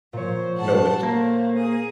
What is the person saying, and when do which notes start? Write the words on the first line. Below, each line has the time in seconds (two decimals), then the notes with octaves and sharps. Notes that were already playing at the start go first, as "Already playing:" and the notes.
you know, with,
0.13 A#2 F3 C5 C#5
0.57 F#5 A5
1.03 A3 A#3 C5
1.57 G#4 D#6